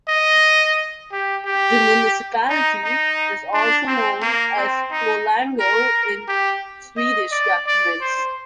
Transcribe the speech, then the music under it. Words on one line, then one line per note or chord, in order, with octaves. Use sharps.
The municipality is also known as "Puolango" in Swedish documents.
D#5
G4
G4
D#4
D#4
D4
C4
A#3
C4
D#4
A#4
G4
D#5
D5
D5
C5